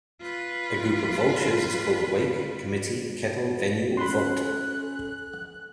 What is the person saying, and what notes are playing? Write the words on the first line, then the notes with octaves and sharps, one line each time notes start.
A group of vultures is called a wake, committee, kettle, venue, or volt.
F4 B4
C#4 A4 B5 C6 F#6